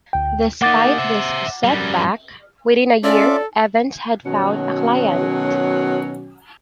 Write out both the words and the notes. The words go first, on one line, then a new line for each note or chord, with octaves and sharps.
Despite this setback, within a year Evans had found a client.
D2 G5
A#3 D#4 F#5 D6 A6
C5 E5
F#2 G3
C#4 F4 A4 D5 E5 D6
B2 D#3 F#3 C#4 F#4